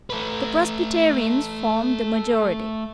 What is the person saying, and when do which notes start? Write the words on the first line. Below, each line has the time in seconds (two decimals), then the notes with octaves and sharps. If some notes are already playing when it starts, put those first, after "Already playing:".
The Presbyterians formed the majority.
0.10 A3 B4